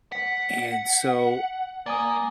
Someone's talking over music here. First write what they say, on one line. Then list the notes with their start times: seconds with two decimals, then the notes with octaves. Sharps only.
And so,
0.12 F#5 B6
1.86 A#3 D5 G#5 D#6